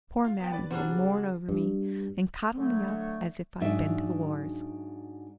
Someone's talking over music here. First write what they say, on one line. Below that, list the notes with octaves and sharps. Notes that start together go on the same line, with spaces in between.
Poor mammy will mourn over me and coddle me up as if I'd been to the wars.
F4
B3 G5
B4 D5 A6
B2 F#3 G3 C4 D4
C#3
G2
D3 F#3 A3
G#2 F#3 D4 E5